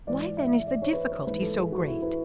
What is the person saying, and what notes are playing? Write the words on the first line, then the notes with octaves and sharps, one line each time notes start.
"Why then is the difficulty so great?"
G#2 E3 D5
E5
D5
C#5
B4
C#5
B4
G#2 E3 B4
A4
G#4
F#4
E4
B4